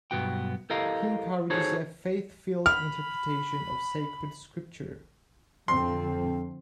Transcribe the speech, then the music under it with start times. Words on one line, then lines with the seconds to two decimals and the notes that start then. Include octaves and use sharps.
He encourages a "faith-filled interpretation of Sacred Scripture".
0.11 B1 G2 B2 B3 F#4 G5
0.70 E4 G4 A4 A#4 D#5 F5
1.50 D#4 F#4 G#4 A4 C5 C#5
2.66 B5 F6
5.68 F2 D3 F3 C4 C6